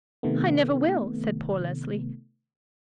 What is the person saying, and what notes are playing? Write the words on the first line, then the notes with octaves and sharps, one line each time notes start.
"I never will," said poor Leslie.
C3 D#3 A3 B3